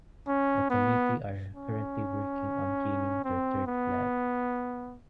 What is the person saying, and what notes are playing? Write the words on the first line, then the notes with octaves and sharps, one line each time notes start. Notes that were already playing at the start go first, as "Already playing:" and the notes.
The committee are currently working on gaining their third flag.
C#4
B3
C#4
C4
B3